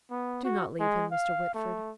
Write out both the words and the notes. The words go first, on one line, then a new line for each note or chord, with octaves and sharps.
"Do not leave him, Mr. Whitford."
B3
F#4
G#3
F5
A3